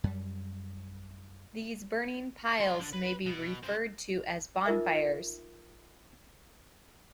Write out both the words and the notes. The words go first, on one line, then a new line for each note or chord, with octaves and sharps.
These burning piles may be referred to as bonfires.
F#2 G3
F#4 C6
D3 D4
B4
B2
F#2 C5
D#4 F4 A#4 E5